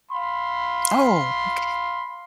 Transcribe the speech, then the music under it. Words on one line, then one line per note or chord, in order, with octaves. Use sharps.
Oh, okay.
F5 B5 C6